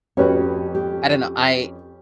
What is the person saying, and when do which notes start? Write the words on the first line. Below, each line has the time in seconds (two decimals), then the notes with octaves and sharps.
I don't know, I
0.17 F2 C#4 F#4 G4 B4 C#5
0.75 G4